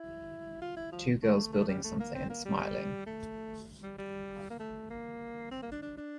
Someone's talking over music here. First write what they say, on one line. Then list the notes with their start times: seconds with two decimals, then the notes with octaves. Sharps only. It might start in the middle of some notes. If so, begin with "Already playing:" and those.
Two girls building something and smiling.
Already playing: E4
0.61 F4
0.76 E4
0.92 F3
1.22 A3
1.52 A3
1.69 G3
1.84 A3
2.00 A#3
2.14 C4
2.29 A#3
2.45 G3
3.06 A3
3.82 G3
3.98 G3
4.50 A#3
4.59 A3
4.90 A#3
5.51 C4
5.62 A#3
5.72 D4
5.82 D4
5.97 D4